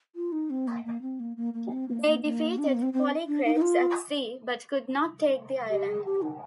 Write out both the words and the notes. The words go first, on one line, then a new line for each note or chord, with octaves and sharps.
They defeated Polycrates at sea but could not take the island.
F4
D#4
C4
A#3
A#3
C4
A#3
A#3
A#3
C4
A#3
A#3
A#3
D4
C4
A#3
C4
C4
D4
D#4
D#4
F4
G4
G#4
G4
D#4